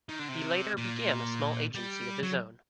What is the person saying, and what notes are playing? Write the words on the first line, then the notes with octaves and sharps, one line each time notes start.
He later began a small agency of his own.
D#3
D3
C3
A#2
G3
F#3